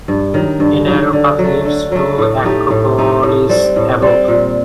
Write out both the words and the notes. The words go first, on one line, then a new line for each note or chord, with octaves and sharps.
A narrow path leads to the acropolis above.
G2
D#3 F#3
G2
D#3 F#3
D3
F#3
A3
D3
F#3 A3
A2
A3 D#4 G4
A2
A3 D#4 G4
A2
G3 C4
A2
G3 C4
A#2